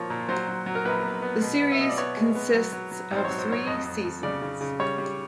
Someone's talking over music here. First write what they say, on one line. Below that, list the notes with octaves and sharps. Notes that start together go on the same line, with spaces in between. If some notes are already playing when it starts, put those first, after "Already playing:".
The series consists of three seasons.
Already playing: F3 A#3 C#5
A#2
F#3 C5
F#3
F#3
A#4
A#1 B4
B3
B3
B2
B3
E5
B2 D#5
D5
B3 C#5
G#3
B3
F#3
F#3
F#3
G#1
C5
F#3 C#5
C5
F#3 C#5
F2 D#5
F2
F2
C#3 D5
C#3
C#3
G3 C#5
G3